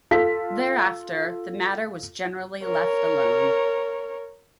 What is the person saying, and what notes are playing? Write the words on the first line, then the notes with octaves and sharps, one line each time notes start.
Thereafter, the matter was generally left alone.
F4 A4 B6
A#4 C#5